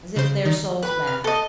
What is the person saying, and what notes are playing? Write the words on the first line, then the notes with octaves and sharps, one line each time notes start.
As if their souls mattered.
C#3 C5
D#3
B4 B5 F#6
F6
A4 D#5